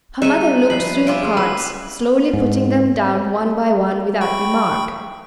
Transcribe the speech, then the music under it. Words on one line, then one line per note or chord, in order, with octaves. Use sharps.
Her mother looked through the cards, slowly putting them down one by one without remark.
G3 G#3 D#4 E5 C#6 F#6 D#7
F3 G3 B5 F#6 C7
E4 F4 G#4 D6 D7
B4 E6
G#2
G5 B5 C#6